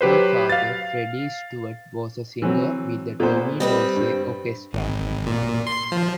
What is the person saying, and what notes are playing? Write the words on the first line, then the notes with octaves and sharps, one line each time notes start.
Her father, Freddie Stewart, was a singer with the Tommy Dorsey Orchestra.
F#3 G4 B4 C5
F5 A6
E3 F#3 C4
A#2 B3 C5
G3 C4 B4 D#5
G2
G#1
A#2
C6
F3